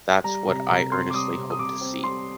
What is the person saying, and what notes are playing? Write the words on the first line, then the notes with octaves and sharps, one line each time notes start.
That’s what I earnestly hope to see.
G3 A#5
C3 A#5
C3 A#5
C4 C6
D6
G3 D#6
C3
D#6
C3 D6
C4
G3 C6